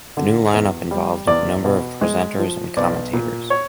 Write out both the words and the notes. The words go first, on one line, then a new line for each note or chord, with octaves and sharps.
The new line-up involved a number of presenters and commentators.
D3
E2
G3
E2 D5
B2
G#3
F3
B1 D5
A#2
C#5